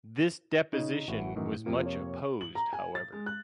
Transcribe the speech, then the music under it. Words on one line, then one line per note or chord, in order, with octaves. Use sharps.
This deposition was much opposed, however.
C#3 D#4 D#5
A1 E4 F#4
F#2 A2 D#3 E3
F2 C3 A#3 F4
C#5
F#7
A#5
G#5
A6
G#3
F#6